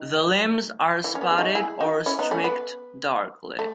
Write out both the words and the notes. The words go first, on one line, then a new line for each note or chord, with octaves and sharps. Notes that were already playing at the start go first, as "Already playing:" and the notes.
The limbs are spotted or streaked darkly.
Already playing: D#3
E3
C#4
B3
G#4
D#4 F#4
E4 G#4
D#4 F#4
C#4 E4
B3 D#4
A3 C#4
B3
A3